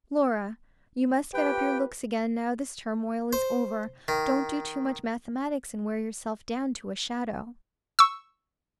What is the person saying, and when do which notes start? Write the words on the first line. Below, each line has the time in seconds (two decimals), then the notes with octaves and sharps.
'Laura, you must get up your looks again, now this turmoil is over. Don't do too much mathematics, and wear yourself down to a shadow.'
1.34 F2 F3 G4 B4 G5
3.33 C5
4.08 D#3
7.99 C#6 E6